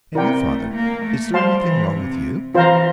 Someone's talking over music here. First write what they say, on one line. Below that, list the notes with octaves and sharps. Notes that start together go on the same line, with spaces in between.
"And you, father--is there anything wrong with you?"
C3 E4 A#4 D5 G5
A3
A#3
A3
G3 C5 F5 A5 C6
E3
C3
E3 F4 C5 F5 A#5